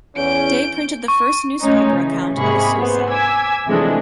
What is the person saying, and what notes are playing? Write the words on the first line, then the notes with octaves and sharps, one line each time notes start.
Day printed the first newspaper account of a suicide.
E2 C#4 G6 D7
C#6
G#3 A3 C#4 D#4
C#3 E3
G#2 C3 A#3 G#4 B5 C#6
B3 C5
G#5 D6 E6 G#6 B6
C3 E3 F3 G#3 A3 D4